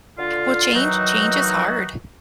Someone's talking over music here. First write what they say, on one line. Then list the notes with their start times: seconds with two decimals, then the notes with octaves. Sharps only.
Well, change change is hard.
0.18 D3 F4
0.74 D#3 E3 F#3 D#4 F#4